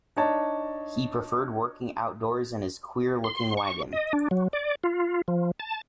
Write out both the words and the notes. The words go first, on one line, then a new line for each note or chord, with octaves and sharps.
He preferred working outdoors in his queer-looking wagon.
D4 D#4 C#5 A5
C6
C#6
D#5
D4
F#3
D5
F4
F3
A5